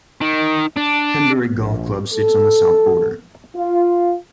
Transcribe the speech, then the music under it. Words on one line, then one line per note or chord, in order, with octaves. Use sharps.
Henbury Golf Club sits on the south border.
D#3
D4
A#1
A4
F4